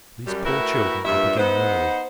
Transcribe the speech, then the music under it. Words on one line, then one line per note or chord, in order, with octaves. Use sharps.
These poor children are beginning early.
F#2 G3
A2 E4 F#4 A#4 B4 E5
G2 A#2 E5
B3 D#4 C5